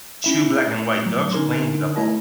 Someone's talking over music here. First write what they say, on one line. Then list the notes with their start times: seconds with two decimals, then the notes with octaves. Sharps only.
Two black and white dogs playing with a ball.
0.24 C#4 E4 E5
0.67 A2
1.05 A2 F#3
1.33 D3 C#4 D#4 A#4 C#5 C6
1.96 A3 E4 D#5